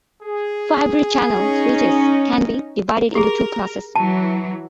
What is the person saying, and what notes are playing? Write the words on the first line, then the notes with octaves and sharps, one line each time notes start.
Fibre Channel switches can be divided into two classes.
G#4
C#4 D#4
G4 G#4 A#4
E3 F#3 A5